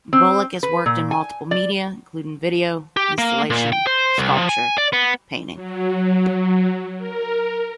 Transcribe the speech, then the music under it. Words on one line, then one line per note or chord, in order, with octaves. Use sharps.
Bulloch has worked in multiple media, including video, installation, sculpture, painting.
C4
B4
A#2
G#5
D5
G4
A#3
A#2
G5
C5
C2
F3
G#5
D5
B3
F#3
A#4